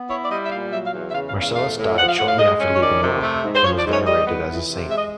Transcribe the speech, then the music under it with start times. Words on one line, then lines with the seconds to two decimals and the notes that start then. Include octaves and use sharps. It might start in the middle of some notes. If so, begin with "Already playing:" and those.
Marcellus died shortly after leaving Rome, and was venerated as a saint.
Already playing: B3
0.09 E4 C#5
0.25 D5
0.30 G3 D#5
0.45 E5
0.51 A#2 F5
0.72 F#3 E5
0.86 F5
0.93 E2
1.09 E5
1.14 C#3 F5
1.27 F5
1.35 E2
1.42 F5
1.55 A3 F5
1.76 A2
1.97 F3 F#5
2.08 F5
2.18 A2 F#5
2.29 F5
2.38 G#3 D#5
2.60 C#4
2.74 C#5
2.81 D#3 D5
3.01 C3
3.22 A3
3.44 G#2
3.55 C5
3.64 F3 C#5
3.78 D5
3.85 G#2
3.92 C#5
4.06 G3 D#5
4.26 B3
4.48 E3
4.69 C3
4.89 G#3 E5
4.97 D#5